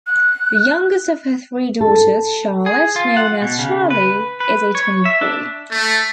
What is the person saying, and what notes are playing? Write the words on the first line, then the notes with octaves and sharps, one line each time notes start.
The youngest of her three daughters, Charlotte, known as "Charlie", is a tomboy.
F#6
A4
G#4
F4
F#5
B2
C#3
B4
B4
C#5
E5
D4
A3